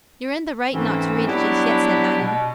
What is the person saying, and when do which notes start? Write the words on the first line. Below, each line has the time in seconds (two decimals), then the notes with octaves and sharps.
"You're in the right not to read it just yet," said Adam.
0.73 F2 G#2 E3 A3 C4 C#4
1.27 F#3 G3 B3 D4 E4 G4
2.20 B2